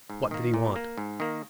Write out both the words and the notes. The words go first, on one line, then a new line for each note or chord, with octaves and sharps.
What did he want?
G#2
D#3 A#3
A#2
A#3
G#2
D#3 A#3